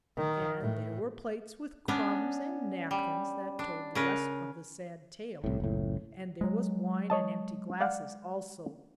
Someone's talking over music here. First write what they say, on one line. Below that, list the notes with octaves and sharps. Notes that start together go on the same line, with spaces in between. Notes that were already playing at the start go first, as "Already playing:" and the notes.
And there were plates with crumbs, and napkins, that told the rest of the sad tale--and there was wine and empty glasses, also.
D#3
A2
B3 C#4 D4
G3
D4
C#3 A#4 B4
C2 A2
F#1 C#2 A2
F#3 G#3
C#5 D#5 A5
D5 F5 F#5